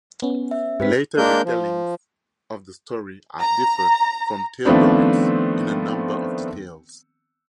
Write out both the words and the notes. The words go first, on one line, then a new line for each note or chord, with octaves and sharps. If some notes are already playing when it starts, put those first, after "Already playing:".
Later retellings of the story have differed from Theodoret's in a number of details.
B3 C#4
E5
G#2 C4 G4 B4 B6
G#3 A#3 D4 A#4 G6
F3
A#5
D#3 F3 A3 B3 C4 D4